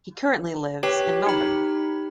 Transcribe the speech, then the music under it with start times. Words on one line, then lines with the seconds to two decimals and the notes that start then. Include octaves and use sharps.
He currently lives in Melbourne.
0.83 G4 B4 C#5
1.26 D#4 B5